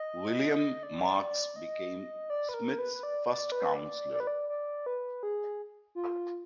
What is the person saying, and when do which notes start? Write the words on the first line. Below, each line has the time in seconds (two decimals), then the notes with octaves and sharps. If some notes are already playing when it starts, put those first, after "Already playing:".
William Marks became Smith's First Counselor.
Already playing: D#5
0.83 D5
1.56 D#5
2.30 D5
2.49 B4
2.54 A#4
2.79 B4
3.03 D5
3.27 D5
3.52 B4
3.76 D5
4.13 D5
4.20 B4
4.27 D5
4.49 D5
4.86 B4
5.23 G#4
5.95 F4